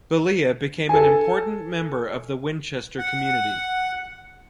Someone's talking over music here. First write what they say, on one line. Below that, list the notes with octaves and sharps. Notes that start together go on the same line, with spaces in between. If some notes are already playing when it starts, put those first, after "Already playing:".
Belia became an important member of the Winchester community.
A4 G#5
F#5